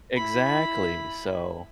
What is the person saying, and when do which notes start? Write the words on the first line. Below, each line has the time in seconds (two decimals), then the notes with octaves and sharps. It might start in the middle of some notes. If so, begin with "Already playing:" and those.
exactly, so,
0.16 E4 B5